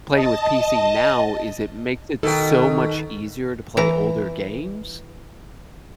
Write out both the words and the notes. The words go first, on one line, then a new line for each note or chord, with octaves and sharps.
playing with PC now is it makes it so much easier to play older games,
D#5 A5
B2 D#3 D#4 A4 G5
E3 A#5